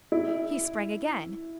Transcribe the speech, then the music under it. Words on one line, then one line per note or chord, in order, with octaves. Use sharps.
He sprang again.
E4